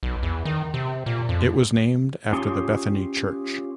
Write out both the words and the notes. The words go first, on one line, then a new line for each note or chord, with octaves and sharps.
It was named after the Bethany Church.
B1
E2
D#3
C3
A#2
F2
C#4 F4 G4 G#4 C6